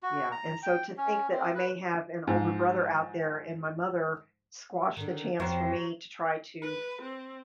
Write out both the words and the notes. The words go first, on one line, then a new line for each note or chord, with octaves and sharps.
Yeah, and so to think that I may have an older brother out there, and my mother squash the chance for me to try to
F#4
A#5
G5
C#4
C4
B4
G#2 F3
D3 D#3
F2 F#3 B3 C5
B4
C4